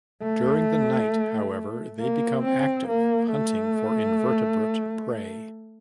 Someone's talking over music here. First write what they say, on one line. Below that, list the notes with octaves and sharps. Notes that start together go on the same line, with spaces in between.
During the night however, they become active, hunting for invertebrate prey.
A3
A#3
C4
A#3
A3